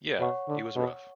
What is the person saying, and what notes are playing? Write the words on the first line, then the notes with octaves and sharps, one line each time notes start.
Yeah, it was rough.
B2 C#5 F#5 C#6
D3
B2